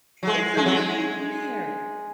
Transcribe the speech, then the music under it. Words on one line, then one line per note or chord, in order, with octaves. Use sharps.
It's a nightmare.
F#3
G#3
G#3
F#3
G#3